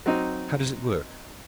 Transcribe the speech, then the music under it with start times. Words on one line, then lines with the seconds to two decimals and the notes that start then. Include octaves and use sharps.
"How does it work?"
0.06 F#3 C4 D#4